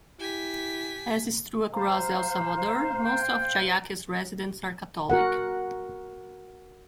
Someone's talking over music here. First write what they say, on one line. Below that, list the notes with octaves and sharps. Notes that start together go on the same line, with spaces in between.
As is true across El Salvador, most of Jayaque's residents are Catholic.
E4 G4 G#5 B6
C5 F5 A#5
G5
F#4 A#4 F#5